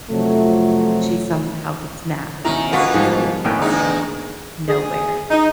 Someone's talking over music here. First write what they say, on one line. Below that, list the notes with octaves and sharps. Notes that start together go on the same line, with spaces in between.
she somehow gets mad and, like, it'll just be a f argument out of nowhere,
F2 C3 F3 F#3 A3
B2 D#3 C#4 E4 A#5
B2 A#3 B3 F4 F#4 F#5 C#6 B6
G#2 F3 G3
A2 D#3 A#3 C#4 B4 G5
E2 D3 D#4 G#4
G#4
D#4